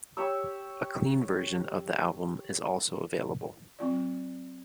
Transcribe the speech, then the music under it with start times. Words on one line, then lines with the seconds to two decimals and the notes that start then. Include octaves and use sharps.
A clean version of the album is also available.
0.17 G4 C#5 G5 E6
3.79 F#3 C4 F4 D5